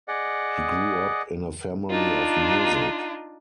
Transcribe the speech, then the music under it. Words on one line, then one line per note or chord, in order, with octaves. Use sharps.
He grew up in a family of music.
G#4 D5 D#5 F#5
D4 D#4 F4